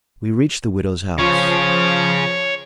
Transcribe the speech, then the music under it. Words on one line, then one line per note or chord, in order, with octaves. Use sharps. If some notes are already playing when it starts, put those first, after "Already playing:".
We reached the widow's house.
C#3 F3 C#4 C#5